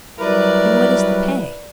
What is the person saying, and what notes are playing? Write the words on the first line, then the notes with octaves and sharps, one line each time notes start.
"And what is the pay?"
F#3 G3 E4 A#4 B4 D5